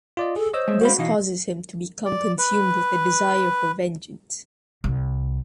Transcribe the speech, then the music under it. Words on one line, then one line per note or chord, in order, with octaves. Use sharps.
This causes him to become consumed with a desire for vengeance.
F4 D5 D#5
G#4 A4
C5 C#5 D#5 E6
G#3 E5
G#3 F#4 F5 B5
B2 E3 D#4 F5
D5
B4
C2